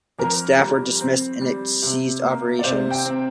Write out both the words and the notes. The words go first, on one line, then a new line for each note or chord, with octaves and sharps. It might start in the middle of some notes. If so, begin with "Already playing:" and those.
Its staff were dismissed and it ceased operations.
F2 A#4
G3
C4
G3
C3
A#3
D5
C3 C5
G5
C4